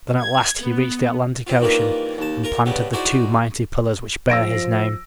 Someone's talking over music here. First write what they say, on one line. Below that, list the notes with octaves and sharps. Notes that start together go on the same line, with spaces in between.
Then at last he reached the Atlantic Ocean and planted the two mighty pillars which bear his name.
G#6
B3
C4 F4
D#3 E3 G3 A#3 F4 A#4
D#2 A5
F4 A#4
G2 C#3 G3 B3
D#4 E4 F#4 G#4 C5 D5
F3 E6 A#6 D7